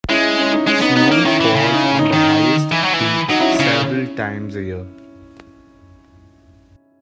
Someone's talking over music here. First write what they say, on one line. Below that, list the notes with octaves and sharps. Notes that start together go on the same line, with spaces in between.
Snow falls on the highest peaks several times a year.
G#3 C#4 E4
C#4
D#4
G#3 C#4
B3 D#4
B3 D#4
C#4
A#3 D#4
D#3 C#4 E4
E3
C#3
D#4
C#4
D#4
D#3 D#4
E3
F#3
E3
F#3 D#4
C#4 E4
C#3 C#4